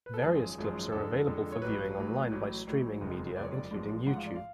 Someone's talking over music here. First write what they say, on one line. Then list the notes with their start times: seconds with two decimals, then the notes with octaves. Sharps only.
Various clips are available for viewing online by streaming media, including YouTube.
0.06 B4
0.14 A4
0.22 G#1 F#2 F3 G#3 G#4
0.58 G#1 F#2 F3 G#3
0.92 F2 D3 G#3 A4
1.27 F2 D3 G#3
1.52 C#5
1.62 A1 A2 F#3 B4
1.97 A1 A2 F#3
2.31 A1 A2 F#3
2.67 A1 A2 F#3
3.01 F#1 F2 F3 G#3
3.36 F#1 F2 F3 G#3 D5
3.45 C#5
3.54 D5
3.71 A1 G#2 F3 G#3
4.06 A1 G#2 F3 G#3 F#5
4.16 F5
4.27 D5
4.36 F5